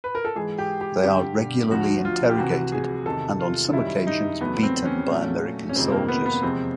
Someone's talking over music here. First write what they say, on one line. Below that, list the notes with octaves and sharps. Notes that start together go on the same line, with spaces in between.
They are regularly interrogated, and on some occasions beaten by American soldiers.
B4
A#4
A4
G#2 E3 G#3 G#4
G4
G4
G2 D3 G3 G4
D2 D3 F3 A3 F#4
F4
G4
C2 C3 E3 F#4
G#4
E2 C3 D#3 A4
F4
F#2 D#3 G3 E4
D#4
E2 C#3 F#3 A3 B3
C4
C#4
A#2 F#3 A3
C#4
F2 C3 D#3 G#3 C4
A#3
B3
B3
E2 C3 F3 G#3 C4